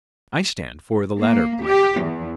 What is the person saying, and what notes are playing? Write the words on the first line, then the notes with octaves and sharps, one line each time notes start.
I stand for the latter plan.
A#3
G4
E2